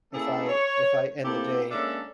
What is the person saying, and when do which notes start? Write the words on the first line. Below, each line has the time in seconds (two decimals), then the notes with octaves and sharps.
if I if I end the day
0.12 A#3 C#4 E4 G#4 A4
0.48 C#5
1.23 A#3 C4 E4 G4 A4
1.70 G#3 A#3 C#4 D4 A4 E5